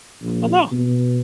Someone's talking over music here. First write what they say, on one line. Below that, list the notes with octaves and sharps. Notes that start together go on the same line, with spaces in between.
oh, no.
A#1
B2